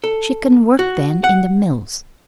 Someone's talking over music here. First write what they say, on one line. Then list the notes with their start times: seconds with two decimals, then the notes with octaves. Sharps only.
"She can work then--in the mills."
0.04 A4
0.79 F#4
1.24 F#5